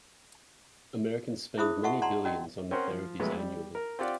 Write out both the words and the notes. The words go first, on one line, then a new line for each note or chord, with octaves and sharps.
Americans spend many billions on the therapies annually.
E4 G#4 C5 E5 B5 D#6
F#4 D#5 E5 F#5 A5 C#6
D5 F#5 A5 A#5 C6
C#4 F#4 A#4 D5 D#5
C4 C#4 A#4 C5 F#5
F3
F2 F#3 G#3 A3 B3
G3
A#4
C4 F4 G4 D5 F#5